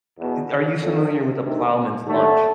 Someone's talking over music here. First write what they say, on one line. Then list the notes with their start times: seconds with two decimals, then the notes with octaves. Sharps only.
uh, are you familiar with a ploughman's lunch?
0.19 E2 B2
0.81 F2 D3
1.43 D2 C3 D#3
2.06 D#2 D3 A3